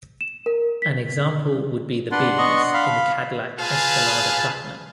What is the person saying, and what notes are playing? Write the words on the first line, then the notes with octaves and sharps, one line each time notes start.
An example would be the beams in the Cadillac Escalade Platinum.
E7
A#4
B6
D4 B4 D5 F#5 C6
B3 D#5 C#6
F5 B5
F4 G#4 B4 F5 G#5 A5